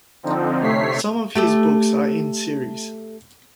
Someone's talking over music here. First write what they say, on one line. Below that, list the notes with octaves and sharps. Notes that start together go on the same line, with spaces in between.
Some of his books are in series.
D3 F3 C4 D#4
C3 A3 C#5 B6 C7
A3 G4 A4